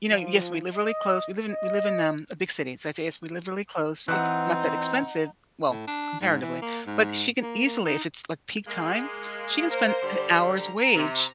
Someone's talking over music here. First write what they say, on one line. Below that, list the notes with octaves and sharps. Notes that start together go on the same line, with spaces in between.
you know yes, we live really close, we live in we live in, um, a big city, so, I'd say it's we live really close, it's not that expensive- well, comparatively. But she can easily if it's, like, peak time, she can spend an hour's wage
F3
D#5
D#5
E3 C4 D#4 F#5 D#6 F#6
A2
D4
G#2
E3
A#3
G#2
A#3
A#3
D#4
G#3 A#3
A#3 A#4 C5
D3 G3
A#5
C3